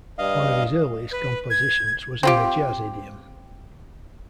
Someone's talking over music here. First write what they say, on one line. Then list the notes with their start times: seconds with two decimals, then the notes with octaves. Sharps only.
One of his earliest compositions was in the jazz idiom.
0.19 G2 D#5 F5
1.11 B4
1.50 G#6
2.23 C4 F4 G4